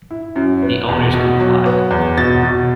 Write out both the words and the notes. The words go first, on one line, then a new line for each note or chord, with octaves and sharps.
The owners complied.
E4
F#2
B3
E2
B2
F#3
B3
E2
B2 A6
B2